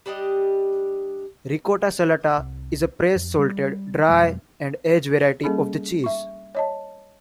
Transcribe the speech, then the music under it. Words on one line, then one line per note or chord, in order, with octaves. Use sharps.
"Ricotta salata" is a pressed, salted, dried, and aged variety of the cheese.
G3 D4 G4 D#5
C2
F2
G3
F2 B2 F#3 G#3
G3 A#3 C#4 G#4 A4 B5
E5 C#6
C#5 D#5 A5